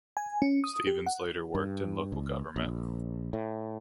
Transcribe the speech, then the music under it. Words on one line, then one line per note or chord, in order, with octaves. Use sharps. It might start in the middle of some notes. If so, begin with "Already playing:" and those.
Stevens later worked in local government.
G#5
C#4
D#6
G4
F#5
G2
C#2
A#1
A2